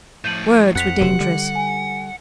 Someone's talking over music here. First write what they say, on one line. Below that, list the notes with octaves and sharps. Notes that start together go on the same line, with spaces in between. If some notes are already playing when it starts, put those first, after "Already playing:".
Words were dangerous.
A2 F3 G6 D#7 F#7
F2 F#5 F#6 B6 F7
F1 D3 G4
D3 G3
G#5